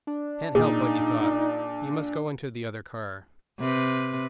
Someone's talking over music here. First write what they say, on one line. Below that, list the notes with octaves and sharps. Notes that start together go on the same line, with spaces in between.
"Can't help what you thought--you must go into the other car."
D4
A#2 D#4 G#4
C3 B4